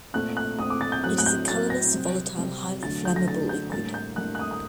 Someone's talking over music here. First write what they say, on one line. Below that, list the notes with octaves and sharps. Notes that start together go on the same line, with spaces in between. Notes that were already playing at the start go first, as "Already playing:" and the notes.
It is a colourless, volatile, highly flammable liquid.
A#2 A3 C4 F#6
F#6
A#2 A3 C4 D#6
D6
A6
G6
A2 F#3 C4 F#6
F#6
G6
A2 F#3 C4 A6
A#6
C3 G3 C4
C3 G3 C4
D3 F#3 A3 D4 A6
G6
A#6
D3 F#3 A3 D4 A6
G6
A2 G3 A#3 D4 A6
G6
A2 G3 A#3 D4 F#6
F#6
D#6
D#6